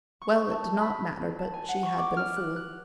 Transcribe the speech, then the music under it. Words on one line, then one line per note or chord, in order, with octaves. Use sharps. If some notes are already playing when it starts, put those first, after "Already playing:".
Well, it did not matter, but she had been a fool.
C#6
A5
B5
A5
G#5
F#5
C#6
D6
F6
F#6
F#6